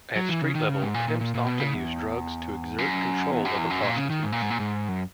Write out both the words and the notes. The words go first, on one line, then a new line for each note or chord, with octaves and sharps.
At street level, pimps often use drugs to exert control over prostitutes.
F#3
E3
C#3
D#3
C#3
G#2
A#2
A#2
A#2
A#2
B2
C#3
E2
F#2
E2
F#2
E2
F#2
A#2
C#3
D#3
G#2
A#2
G#2
A#2
G#2
F#2